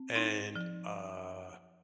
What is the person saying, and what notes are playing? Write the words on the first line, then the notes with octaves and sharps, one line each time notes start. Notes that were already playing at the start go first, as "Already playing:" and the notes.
and, uh,
Already playing: C4
D#4
F3